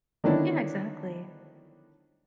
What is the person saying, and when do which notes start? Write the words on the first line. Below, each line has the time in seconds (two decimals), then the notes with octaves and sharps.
Yeah, exactly.
0.24 D3 D#3 B3 C#4 D4 E4